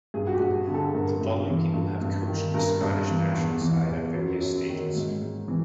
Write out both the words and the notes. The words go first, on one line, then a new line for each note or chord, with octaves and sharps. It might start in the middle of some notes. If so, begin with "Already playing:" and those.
The following people have coached the Scottish national side at various stages.
G2 G#4
F#4
G4
G2
G#4
D3
A4
G2 A#4
G2
E3
G2
G2
D#3
G2 A#4
G2
E3
E2
E3
E2
F#2
F#2
D#3
G#2
G#2
E3